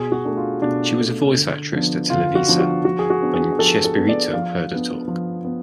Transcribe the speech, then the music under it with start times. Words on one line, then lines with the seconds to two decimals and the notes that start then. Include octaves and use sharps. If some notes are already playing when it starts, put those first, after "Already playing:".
She was a voice actress at Televisa, when Chespirito heard her talk.
Already playing: B2 G#4
0.12 F#4
0.25 A3 D4
0.37 F4
0.61 B2 D4
1.00 A3 D4
1.36 D3
1.73 F3 B3 D4
2.10 D3 F4
2.35 F#4
2.48 F3 B3 D4
2.60 F#4
2.84 F3 F#4
2.99 G#4
3.10 F#4
3.22 B3 D4
3.34 G#4
3.59 F3 A4
3.84 A4
3.97 B3 D4
4.09 D5
4.33 F3 F5
4.71 B3 D4
5.08 F3
5.45 B3